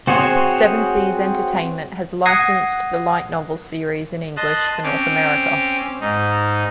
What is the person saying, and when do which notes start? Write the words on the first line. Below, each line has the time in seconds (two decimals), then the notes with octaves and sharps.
Seven Seas Entertainment has licensed the light novel series in English for North America.
0.07 C4 F#4 G#4 C5 C#5
2.26 F#5 D#6 G#6 A#6 C7
4.37 D#5 A5 C6 F#6
4.83 C4 C#4 D6
6.01 G#2 D#4